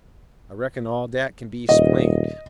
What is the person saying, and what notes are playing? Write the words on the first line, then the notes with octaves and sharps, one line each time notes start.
"I reckon all dat kin be 'splained."
D#1 D#5